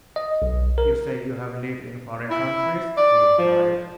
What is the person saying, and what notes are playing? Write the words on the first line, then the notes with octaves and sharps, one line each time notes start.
"You say you have lived in foreign countries?" he inquired.
D#5
B1
A#4
E4
D5
F3